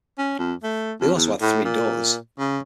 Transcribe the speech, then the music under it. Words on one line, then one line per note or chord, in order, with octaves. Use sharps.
They also had three daughters.
C#4
F2
A3
F2
E2
A2
A#2
C#3